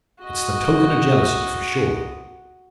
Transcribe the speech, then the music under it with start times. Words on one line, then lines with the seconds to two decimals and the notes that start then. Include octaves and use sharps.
It's the token o' jealousy for sure.
0.21 F#4 D#5